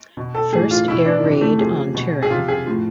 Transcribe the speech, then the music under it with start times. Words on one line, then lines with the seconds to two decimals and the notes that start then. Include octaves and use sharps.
First air raid on Turin.
0.17 B2
0.35 A4
0.52 A2 E3 G#4
0.71 F4
0.88 B2 E4
1.06 D4
1.24 C3 E3
1.41 A3
1.59 C3 F3 G#4
1.94 B2
2.23 G#4
2.30 C3 F3 F4
2.48 G#4
2.66 A2 F3